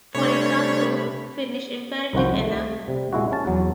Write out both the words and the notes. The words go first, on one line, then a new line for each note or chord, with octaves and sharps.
For example, Finnish imperative anna!
C3 G3 A3 D4 C#5 B5
C2 D#3 F3 F#4 C5
A3
C3 G3
A#2 G#3 E4 F#4
C#4 A5
E2 F#3